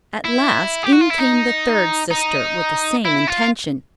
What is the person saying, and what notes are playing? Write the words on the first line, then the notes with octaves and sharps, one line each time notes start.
At last, in came the third sister with the same intention.
E4
G4
F#4
F4
E4
D#4
D#4
E4
F4